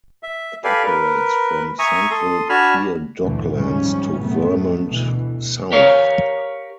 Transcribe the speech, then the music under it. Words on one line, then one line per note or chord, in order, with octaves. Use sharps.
It operates from Central Pier Docklands to Vermont South.
E5
G4 A4 B4 D5 F5 G#5
A#4 B4
E5 G#5 A#5 C#6 D#6
A4 C6 D#6
D4 F#4 G#5 A5 B5 F6
D2 G2 A#2 D3 E3 A3
G#1 G#2 C#3 F3 G3 C#4
F#1 A2 C3 F#3 A3 B3
D2 B2 E3
G4 A#4 C#5 F5